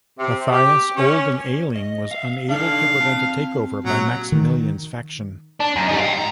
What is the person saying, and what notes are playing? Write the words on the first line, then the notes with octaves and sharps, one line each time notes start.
Matthias, old and ailing, was unable to prevent a takeover by Maximilian's faction.
C3
G4
C#4
D#5
E5 F5
D4 D#4 A4 F5
C4 A5
A#2 F#3 C#4
D#3
D4
F#2
G3 D#4
F5 G5
G#2 A#5